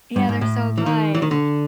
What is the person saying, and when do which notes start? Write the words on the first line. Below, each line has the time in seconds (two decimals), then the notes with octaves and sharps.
Yeah, they're so good.
0.16 G2
0.29 G#2
0.41 A2
0.78 E3
0.86 D#3
1.15 E3
1.22 D#3
1.31 D3